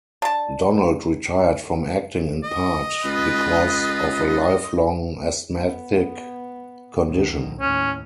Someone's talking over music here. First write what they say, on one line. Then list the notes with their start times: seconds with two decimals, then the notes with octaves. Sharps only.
Donald retired from acting in part because of a lifelong asthmatic condition.
0.22 D4 A5
2.44 D#5
3.04 C#2 F4 B4
5.52 B3
7.08 D2 D#3
7.61 D#2 A2 C#4